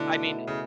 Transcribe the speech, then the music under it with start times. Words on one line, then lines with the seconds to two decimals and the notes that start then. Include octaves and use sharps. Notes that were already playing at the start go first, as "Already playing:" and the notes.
I mean
Already playing: B2 D3 A3 E4
0.47 C#3